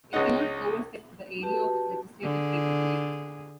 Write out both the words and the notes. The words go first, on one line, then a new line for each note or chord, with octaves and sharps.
It cannot over-step the area of its legislative capability.
C#2 G#3 C#4 D#4 F#5
F#4 G4 B4 A5
D3 G#4